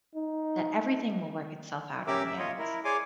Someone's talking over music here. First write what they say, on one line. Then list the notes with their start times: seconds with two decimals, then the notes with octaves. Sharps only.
that everything will work itself out in the end
0.15 D#4
2.07 C#4 G4 A#4 E5 D6 E6
2.26 E5
2.39 F4 C#5 D#5
2.59 E4 A#4
2.84 G#4 C#5 D5 G#5 C6 D6